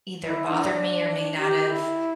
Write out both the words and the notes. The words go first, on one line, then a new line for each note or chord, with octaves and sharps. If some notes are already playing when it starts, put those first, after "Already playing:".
either bothered me, or may not have,
E4
D4
G4
E4